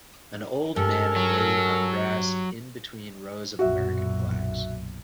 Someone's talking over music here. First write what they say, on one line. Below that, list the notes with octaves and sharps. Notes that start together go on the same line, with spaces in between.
An old man and lady on grass in between rows of American flags.
G2 C#4 A4 A#4
F#3
B1 F#2 A#2 F#4 E5